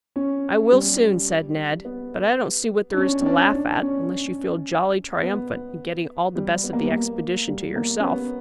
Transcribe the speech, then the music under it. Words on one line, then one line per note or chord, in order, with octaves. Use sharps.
"I will soon," said Ned; "but I don't see what there is to laugh at, unless you feel jolly triumphant at getting all the best of the expedition to yourself."
C#4
G3
B3
D4
C#4
C#4
D4
D4
C#4
B3
G3
B3
A#3
G3
A#3
G3
A#3
C#4
B3